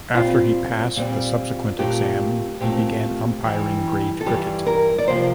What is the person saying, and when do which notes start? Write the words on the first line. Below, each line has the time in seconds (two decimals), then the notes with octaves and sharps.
After he passed the subsequent exam he began umpiring grade cricket.
0.14 A#2 G3 C4 F4
0.96 A#2 G3 C4
1.79 A#2 A3 C4 G4
2.60 A#2 A3 C4 G4
3.43 G2 E3 G3
4.21 A4
4.26 G2 E3 G3 G4
4.66 A#4
4.98 D5
5.08 C3 F3 A#3 C5